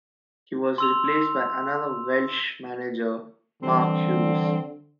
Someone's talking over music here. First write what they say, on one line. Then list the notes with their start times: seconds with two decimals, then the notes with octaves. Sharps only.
He was replaced by another Welsh manager, Mark Hughes.
0.78 C6 E6 F7
3.62 D3 E3 G3 C4